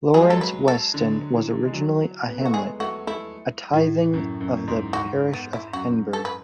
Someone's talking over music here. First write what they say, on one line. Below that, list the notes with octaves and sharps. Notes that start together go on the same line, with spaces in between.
Lawrence Weston was originally a hamlet, a tything of the parish of Henbury.
F#3 G#4
G#3
F#3 A4
B4
A4
D3
E3
G#3
F#3
B3
A3 F#4
G#3 G#4
A3 F#4
A3 E4
A2
F#2
F#2
F#2
G#2
G#2 F#4
B3
E4
F#2 F#4
A4
B4